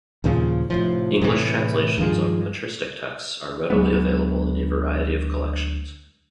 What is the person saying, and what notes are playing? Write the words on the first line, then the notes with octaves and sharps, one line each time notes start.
English translations of patristic texts are readily available in a variety of collections.
D#2 A#2 C#3 F3
F1 A2 F3
A2 C3 E3
G2 D#3 F3 G#3
D2 F#3 G#3 B3